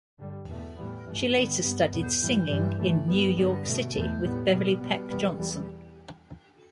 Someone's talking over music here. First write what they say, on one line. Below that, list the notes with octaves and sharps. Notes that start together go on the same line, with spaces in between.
She later studied singing in New York City with Beverley Peck Johnson.
G2 D3 G3
E2 B2 A3
A2 E3 G3 B3
G2 E3 A3
G2 D3 G3 B3
G2 G3 B3
E2 B2 B3
G2 E3 G3
G2 E3 G3
A2 E3 A3
G2 G3 B3
G2 D3 G3 B3
B2 A3
E2 B2 A3
A2 G3 B3
B2 G3 B3
B2 G3 B3
E2 B2 G3 B3
E2 E3 G3